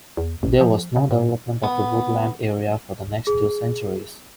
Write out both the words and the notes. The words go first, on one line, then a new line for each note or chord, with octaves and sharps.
There was no development of the woodland area for the next two centuries.
E2
A1
F3
C#3
A2
B3
G#4